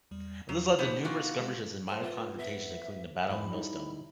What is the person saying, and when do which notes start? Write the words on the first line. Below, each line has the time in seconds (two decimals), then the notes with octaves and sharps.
This led to numerous skirmishes and minor confrontations including the Battle of Millstone.
0.11 E2 G3
0.49 E2 F#3
0.78 E3 B3 D#4 C5
1.05 A#3 F4 F#4
1.39 G#3 G4
1.88 A4 C5 A5
2.03 B3 F4 E5
2.39 B3 E5
3.30 G#2 B5
3.50 G3 D#4 E4